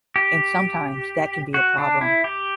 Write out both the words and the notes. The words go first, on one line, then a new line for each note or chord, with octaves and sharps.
And sometimes that can be a problem.
G4
F#4
D4
E4
G4